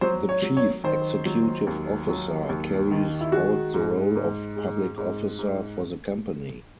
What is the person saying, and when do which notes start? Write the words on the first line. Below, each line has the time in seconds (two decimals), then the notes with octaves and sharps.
The Chief Executive Officer carries out the role of Public Officer for the Company.
0.01 F#3 C5
0.29 C#5
0.42 F#3
0.57 C#5
0.84 D#3 C5
1.25 F#3
1.67 D#2
2.08 F#3
2.49 D#2
2.91 D#3
3.21 E4
3.32 G#3 F#4
3.74 G#2
4.15 G#2
4.56 G#3
4.97 G#2
5.39 G#2